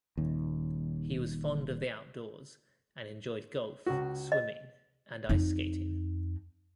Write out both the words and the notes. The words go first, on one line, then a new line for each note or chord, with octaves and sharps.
He was fond of the outdoors and enjoyed golf, swimming, and ice skating.
D#1 D#2
C#2 F#4
D#5
F2 D#4